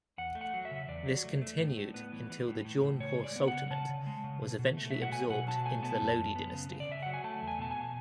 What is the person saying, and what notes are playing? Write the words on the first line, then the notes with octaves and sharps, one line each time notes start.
This continued until the Jaunpur Sultanate was eventually absorbed into the Lodi dynasty.
E2 F#5
A3
F#5
F#3
E5
C#3
E2 D5
F#3
A3
A3
A2
A2
B3
E3
E3
A2
A2
A2
C#3 C#5
G#3
D5
B3
F#5
C#3
C#3 A5
C#3
G#3
C#3
B2
B2
A3
F#3 E5
F#5
B2 G#5
B2 F#5
F#3 A5
A3 G#5
B3 A5
F#2
F#2
B3
C#3
C#3
D5
C#3 E5
F#3 F#5
G#5
A3 A5
E2
G#5
B2 A5
G#5
B2